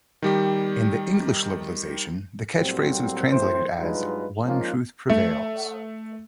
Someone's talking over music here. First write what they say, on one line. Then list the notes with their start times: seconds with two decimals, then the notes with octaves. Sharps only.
In the English localization, the catch phrase was translated as "One Truth Prevails".
0.22 D#3 G3 G4
2.54 A2 F#3 G3 A#3 C4
3.30 E2 A2 F#3 C4 C5
3.78 G2 F#3 G#3 D#4 F4 B4
4.44 F3 G#3 A#3 C#4 D#4 F4
5.09 A3